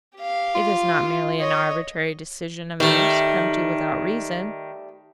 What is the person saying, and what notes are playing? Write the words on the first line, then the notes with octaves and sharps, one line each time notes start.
It is not merely an arbitrary decision of theirs, come to without reason.'
G4 F5
F4
C#5 D#5
D#3 G3 A3